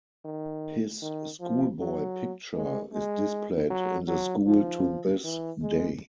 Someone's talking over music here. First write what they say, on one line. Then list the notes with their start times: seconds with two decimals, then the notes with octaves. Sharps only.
His schoolboy picture is displayed in the school to this day.
0.25 D#3
1.02 D#3
1.41 F3
1.79 F#3
2.55 G#3
2.93 G#3
3.70 F#3
4.08 F#3
4.47 F3
5.24 E3
5.62 G#3